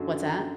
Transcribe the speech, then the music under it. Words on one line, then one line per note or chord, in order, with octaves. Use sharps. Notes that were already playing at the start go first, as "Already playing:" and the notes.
What's that?
Already playing: F#2 D3 F#3
A#5